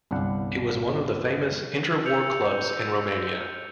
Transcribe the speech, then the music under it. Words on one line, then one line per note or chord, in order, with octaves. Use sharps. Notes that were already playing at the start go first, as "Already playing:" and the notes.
It was one of the famous inter-war clubs in Romania.
G1 C2 D4 F#5
E6 G6 C#7 F7